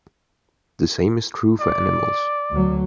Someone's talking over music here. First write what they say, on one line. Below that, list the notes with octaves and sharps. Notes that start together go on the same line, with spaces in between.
The same is true for animals.
D5
D2 F#3